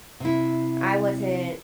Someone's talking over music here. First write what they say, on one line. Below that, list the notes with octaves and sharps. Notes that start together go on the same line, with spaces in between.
I wasn't
C3 E4